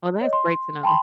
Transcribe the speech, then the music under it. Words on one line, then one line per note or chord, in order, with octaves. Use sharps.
Well that's great to know.
C#5 D#5
C6
G5 A5 B5 C6